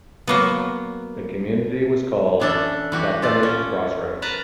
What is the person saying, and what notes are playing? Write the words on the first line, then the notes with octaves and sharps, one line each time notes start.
The community was called "Bethany Crossroads".
F#3 A#3 B3
E3 C#4 D4 E4 A4
E3 F#4 G4
F4 A4 D5
C#4
A#4 B4 A5 A#5